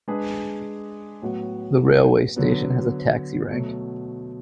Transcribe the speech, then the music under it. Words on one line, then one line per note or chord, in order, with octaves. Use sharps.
The railway station has a taxi rank.
G#3 D4 G#4 B4
A2 F#3 B3 F#4
D3 F#3 B3
B2 F#3 A3